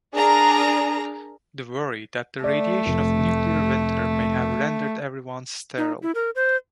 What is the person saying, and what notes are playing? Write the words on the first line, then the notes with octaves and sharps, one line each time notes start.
They worry that the radiation of the nuclear winter may have rendered everyone sterile.
D4 G#4 A#4 A#5
A3 D5
F1
D#4
E4
A#4
C5